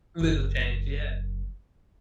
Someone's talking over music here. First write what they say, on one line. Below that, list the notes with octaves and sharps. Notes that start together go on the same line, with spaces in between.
Little change, yeah;
F#1 F#2